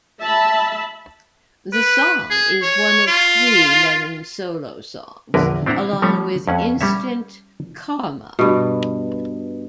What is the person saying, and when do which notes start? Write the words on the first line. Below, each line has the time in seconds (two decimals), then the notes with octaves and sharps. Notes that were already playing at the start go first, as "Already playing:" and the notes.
The song is one of three Lennon solo songs, along with Instant Karma!
0.20 E5 A5 B5
1.73 B4
2.31 G#4
2.62 C#5
3.07 F4
5.34 A#1 E2 D3 A#4 B4
5.66 C4 D4 E4 C5 F#5 A#5
6.02 F3 G3 A3 C#4 C#5
6.48 F2 C#4 F#5
6.81 G3 C#4 C#5 E5
8.39 G2 B2